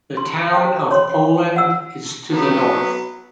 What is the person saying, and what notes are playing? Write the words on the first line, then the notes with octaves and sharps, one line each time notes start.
The town of Poland is to the north.
C6
C5 G5
C#5 C6
F#5 E6
F#3 B3